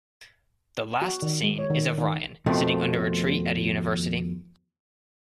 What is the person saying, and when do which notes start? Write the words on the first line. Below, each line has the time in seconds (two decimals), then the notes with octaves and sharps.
The last scene is of Ryan, sitting under a tree at a university.
1.02 F#4
1.22 D#3
1.44 G#3
1.59 C#5
1.70 D#3
1.98 D#3
2.46 F2 B2 D#3 F3 A3 C4